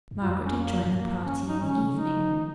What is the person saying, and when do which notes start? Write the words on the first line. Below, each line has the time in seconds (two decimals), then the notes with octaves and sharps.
Margaret had joined the party in the evening.
0.11 G2
0.22 F2 F4
0.45 C#4
0.57 A#3
0.83 G#2
0.91 G2 A#3
1.26 C#4
1.49 D#4
1.60 D#3 C#4
1.71 C#3
1.82 C3
1.93 C#3 D#4
2.20 F3
2.29 D#3